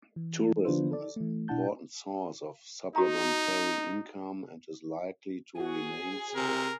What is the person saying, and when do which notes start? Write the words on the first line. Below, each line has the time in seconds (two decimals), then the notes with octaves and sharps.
Tourism is an important source of supplementary income and is likely to remain so.
0.16 E3
0.65 D3 F3 D4 F4 B4 C5
0.91 A4 D5
1.16 E3 A3
1.48 B2 D4 E4 F#5 A5 G6
2.96 D#4 F#4 A#5
5.60 F#4 G#4
6.36 C3 A#4